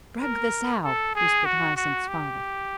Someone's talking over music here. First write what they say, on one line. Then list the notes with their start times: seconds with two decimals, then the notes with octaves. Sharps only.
"Drug the sow," whispered Hyacinth's father.
0.21 A#4
0.83 A4
1.15 G#4
1.45 F#4
1.77 F#4
2.08 G4